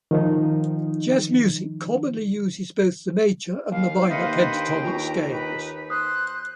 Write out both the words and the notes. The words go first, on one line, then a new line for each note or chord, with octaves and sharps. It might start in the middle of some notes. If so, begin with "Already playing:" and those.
Jazz music commonly uses both the major and the minor pentatonic scales.
D#3 F3 D#4
D#2 F5
D#2 B4 C5 D#5 E5 C#7
D4 G5
F4 G#5 A#5 C#6
D#4 B4
C5 D#6 F#6